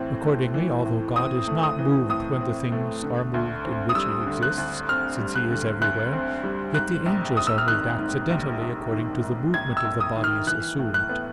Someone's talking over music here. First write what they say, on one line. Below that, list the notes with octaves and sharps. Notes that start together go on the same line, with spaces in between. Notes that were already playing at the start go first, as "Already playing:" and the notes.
Accordingly, although God is not moved when the things are moved in which He exists, since He is everywhere; yet the angels are moved accidentally according to the movement of the bodies assumed.
Already playing: A2 E3 C4
A3
E3
A2
C4 D#6
A3
D#6
E3
A2 D#6
C4
A3
D3
D2
C4
D#6
G3 E6
D3
F#6
D2
C4 F6
G3
F#6
D3
D2 F#6
C4
G3
G#2 F#6
A#1
A#1 D#6
E6
F6
D#3 F#6
G#2
A#1
A#1
D#3
G#2
A#1 G#6
E6
A#1
D#6
D#3
F6
E3 F#6
A2
F#6
B3